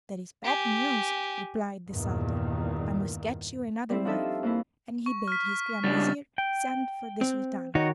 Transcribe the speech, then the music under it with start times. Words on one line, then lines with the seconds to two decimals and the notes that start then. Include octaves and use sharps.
'That is bad news,' replied the Sultan; 'I must get you another wife.' And he bade his Grand Vizir send for the Sultana.
0.44 G4 G#5
1.91 E2 G2 A#2 D#3
3.89 G3 C4 E4
4.05 F3 D4 D#4 A4 E5
4.43 F2 A#3 E4
5.06 C#6
5.28 F6 B6
5.84 C#3 G3 D4 A6
6.38 G5
7.21 C4
7.75 D#3 D#4 F#4 C#5